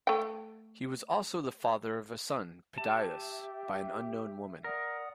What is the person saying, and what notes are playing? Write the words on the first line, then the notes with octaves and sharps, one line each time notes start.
He was also the father of a son, Pedaeus, by an unknown woman.
A3 G5
G4 E5 A5
A#4 D5 F#5 D#6